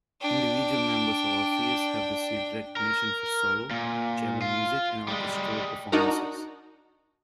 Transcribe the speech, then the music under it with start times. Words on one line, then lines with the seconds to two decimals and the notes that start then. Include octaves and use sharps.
Individual members of Orpheus have received recognition for solo, chamber music, and orchestral performances.
0.21 D4 G5
2.77 A#4
3.71 A#2
4.42 F4
5.08 G3 G#3
5.92 D4 D#4 F#4 A#4